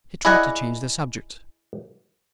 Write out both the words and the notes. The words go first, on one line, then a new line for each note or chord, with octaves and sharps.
He tried to change the subject.
E4 G#4 D5 D#5 F#5 G#5